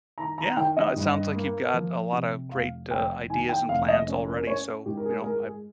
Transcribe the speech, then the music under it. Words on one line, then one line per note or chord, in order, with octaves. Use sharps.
Yeah, no, it sounds like you've got a lot of great, uh, ideas and plans already, so, you know, I w
D#3 A#5
A#5
D#3 G5
D#5
G2
A#3
F3
C3
F1 F5
F1 G5
D#3 G#5
G5
F1 F5
D#5
C#4
A#4
C#4 C#5
G#2 G4
A#4
G#4
G#4
G#3 A#4
G#4